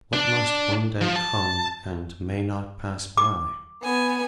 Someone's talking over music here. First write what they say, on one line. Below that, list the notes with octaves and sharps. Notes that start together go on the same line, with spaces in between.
What must one day come and may not pass by?
D4
F3
A5
D6
B3 G#5